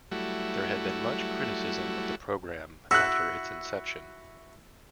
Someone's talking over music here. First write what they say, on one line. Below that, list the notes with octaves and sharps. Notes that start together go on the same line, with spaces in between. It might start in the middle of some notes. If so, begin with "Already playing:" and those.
There had been much criticism of the program after its inception.
F#3 G3 A3 E4 F#4
E4 F#4 E6 F#6